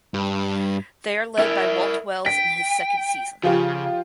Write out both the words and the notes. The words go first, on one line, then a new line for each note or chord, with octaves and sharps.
They are led by Walt Wells in his second season.
G2
E4 A#4 E5
G5 B6
C#3 F3 F4 G4